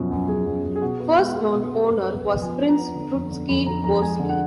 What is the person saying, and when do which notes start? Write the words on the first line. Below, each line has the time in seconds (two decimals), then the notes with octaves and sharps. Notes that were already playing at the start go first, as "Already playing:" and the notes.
First known owner was prince Drutski-Gorski.
Already playing: F#2 B2 F3 F#4
0.11 F#2
0.28 F#2 G#4
0.46 F#2
0.64 F#2
0.76 G#4
0.82 B2 F#4
0.99 B3 F#4
1.18 G#3
1.35 B3 G#4
1.53 B2
1.62 B4
1.71 B3
1.83 A#4
1.88 F#2 B4
2.06 B3
2.15 B4
2.24 B3
2.41 F3 G#5
2.60 B3
2.69 A#5
2.78 B3
2.95 D3
3.13 F2
3.31 D3
3.48 F2 B5
3.66 D3 A#5
3.84 F2 A#5
4.02 G#3 G#5
4.20 D3
4.29 F#5